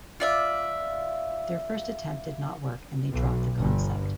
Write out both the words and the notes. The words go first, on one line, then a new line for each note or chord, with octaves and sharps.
Their first attempt did not work and they dropped the concept.
F4 D5 E5
B1
G1